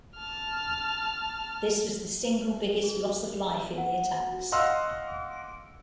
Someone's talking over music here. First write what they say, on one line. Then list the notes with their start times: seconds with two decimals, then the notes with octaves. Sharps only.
This was the single biggest loss of life in the attacks.
0.17 A5 F6
2.84 G#4
3.78 F#5
4.52 D#5 F5 F#5 C6 E6 F6